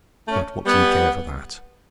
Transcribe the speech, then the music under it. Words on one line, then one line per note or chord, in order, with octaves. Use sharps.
But what do you care for that?
A3 C#4
G3 B3